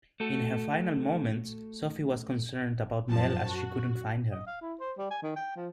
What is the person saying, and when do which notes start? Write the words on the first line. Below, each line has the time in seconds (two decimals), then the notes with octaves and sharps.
In her final moments Sophie was concerned about Mel as she couldn't find her.
0.20 A3 F#4 A4
3.10 F#2 F3 A5
3.48 F#4
4.32 D#5
4.47 F5
4.62 E4
4.80 C5
4.98 G3
5.10 G#5
5.22 D#3
5.36 G5
5.56 F3